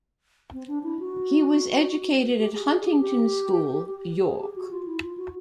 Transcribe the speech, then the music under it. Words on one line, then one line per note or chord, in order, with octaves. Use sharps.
He was educated at Huntington School, York.
C4
D4
E4
F#4
G4
G#4
G#4
G4
G4
G#4
G4
F#4
F4
E4
F4
F#4